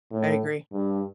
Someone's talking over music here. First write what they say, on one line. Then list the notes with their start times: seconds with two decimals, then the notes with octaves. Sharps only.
I agree.
0.11 A2
0.72 G2